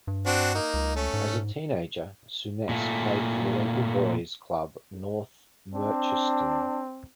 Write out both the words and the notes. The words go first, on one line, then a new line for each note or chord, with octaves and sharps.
As a teenager Souness played for local boys' club North Merchiston.
G2
C4 D4 F#4
A#3 D#4
C#2
A3 C#4
G#2
A#2 A3
C4 D4